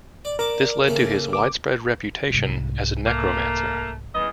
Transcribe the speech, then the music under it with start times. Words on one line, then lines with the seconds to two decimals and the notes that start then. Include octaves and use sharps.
This led to his widespread reputation as a necromancer.
0.25 D5
0.39 D4 A#4 D6
0.88 C#3 A3 A#3
1.33 D6
2.30 C2 G#2
3.06 A3 A#3
4.15 E2 G3 B3 C#4 D#5